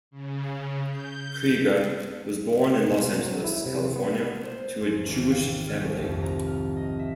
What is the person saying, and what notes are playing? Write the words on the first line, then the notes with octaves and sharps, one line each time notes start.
Krieger was born in Los Angeles, California to a Jewish family.
C#3
G6
B2
F#3
E4
C3
B3
C5
G#2
E2
G#1
F5
F6
C2
F2
A#5
F6
D#5
E5